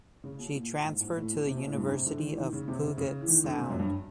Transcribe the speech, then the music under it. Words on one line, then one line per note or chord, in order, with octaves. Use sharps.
She transferred to the University of Puget Sound.
C#3
B2
A#2
G#2
G#2
A2
B2
C3
B2
A2
G2
C3
D3
D#3
E3
D#3
C#3
C3
C#3
C#3
E3
D#3
D3
C3
F#2
G2